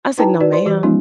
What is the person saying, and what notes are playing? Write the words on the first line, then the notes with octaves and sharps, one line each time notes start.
I said, "No, ma'am."
D#4 E4 B4 G5 A5 A#5
F#4 B4 D5
C5 D5 C6
E3 G4
F3 G#3 B3 C#4 D#4 F4